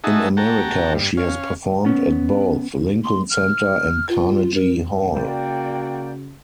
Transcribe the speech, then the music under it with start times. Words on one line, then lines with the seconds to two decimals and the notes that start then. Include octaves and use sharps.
In America, she has performed at both Lincoln Center and Carnegie Hall.
0.04 D#4 F#4 G#4 E5 A5
0.37 F#4 G5 A5 A#5
0.94 G2
1.17 C#4 F5
1.85 B3 C#4
3.04 C6
3.30 F6
4.09 F4
4.55 A#4
5.12 C#3 A#3 F#4 D5 G5